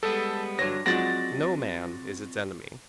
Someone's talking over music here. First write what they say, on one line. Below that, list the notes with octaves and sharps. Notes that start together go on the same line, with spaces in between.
No man is its enemy.
G3 G#3 B3 A4
G2 D3 F#3 C#5 A#6
F3 F#3 G#3 C4 D5 F#5 A6 A#6